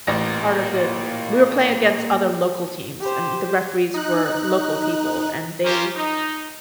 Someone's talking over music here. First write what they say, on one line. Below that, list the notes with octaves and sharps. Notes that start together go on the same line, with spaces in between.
part of the We were playing against other local teams, and the referees were local people, and they
A1 A#3 F4 A#6
G4 C5
D#4 F#6
C#4 F4 G4 A#4 C5
D#4